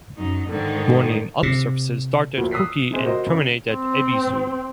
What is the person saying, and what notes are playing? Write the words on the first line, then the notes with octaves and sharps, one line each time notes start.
Morning "Up" services start at Kuki and terminate at Ebisu.
F#2 D#4
G#2 D3 D#3
C3
D2 F3 F#3 A#3
D#6 E6 F#6 B6 C7
C3 G#3 C5
F#4 A#4 C5 D#5
C#3
C4